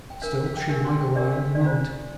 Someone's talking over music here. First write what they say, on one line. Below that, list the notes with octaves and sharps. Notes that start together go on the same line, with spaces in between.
Still she might arrive any moment.
G5
D4 A#4 F5
F5
F5
G5
D4 G4 A#4 F5
C6
G5
D4 G4 A#4 D5
F5
F5
D5
D4 F4 C5 F5